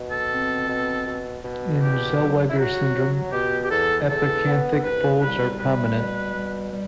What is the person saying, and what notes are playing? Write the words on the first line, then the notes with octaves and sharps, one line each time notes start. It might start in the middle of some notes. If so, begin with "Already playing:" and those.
In Zellweger syndrome, epicanthic folds are prominent.
Already playing: B2
A4
C4
B2
B2
B2
E2 G4
F#3
E4
F#3 F#4
F#3
B2 G4
G4
E2 A4
E2 A4
B3
A4
C2 B4
G3 B4
G3 B4
B2
G3
G3